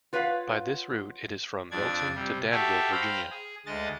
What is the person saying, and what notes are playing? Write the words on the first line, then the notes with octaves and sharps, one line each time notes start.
By this route it is from Milton to Danville, Virginia.
F4 B4 C#5 F5 F#5
F2 D4 D5 G#6
C3 G3
F#4 G4 A4 E5 F5
C5 F5 G5 A#5 B5
G#4
D2 G#3 D#5 A6